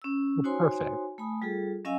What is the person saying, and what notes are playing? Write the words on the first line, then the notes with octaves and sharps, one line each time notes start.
Well, perfect.
C#4 E6
D#4 F#4 C5 C#5 G#5 C6
A3 G#5 B5 D#6
G3 F4 G#4 A4
F#3 C#4 D#5 F5 G#5 E6